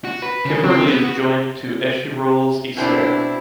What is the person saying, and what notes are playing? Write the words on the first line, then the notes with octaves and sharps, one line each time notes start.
Kimberley is joined to Échirolles, Isère.
F#4
B4
C#3
C4
B3
F#4
B2 C4 D4 E4